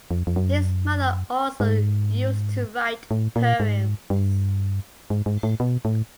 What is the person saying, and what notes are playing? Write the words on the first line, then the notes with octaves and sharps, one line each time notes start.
His mother also used to write poems.
F2
F2
F#2
G#2
A2
A#2
G#2
G2
G#2
G#2
A2
B2
A2